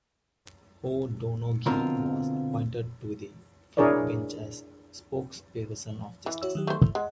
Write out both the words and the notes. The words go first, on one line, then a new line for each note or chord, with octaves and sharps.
O'Donoghue was appointed to the front bench as spokesperson on Justice.
B2 D3 C4 F4 A#4
D4 E4 G#4 A#4 C#5 D5
E3
F#4 C#5 E6
D#3 F#3 G4
A3 C5
E3
G#3 F#5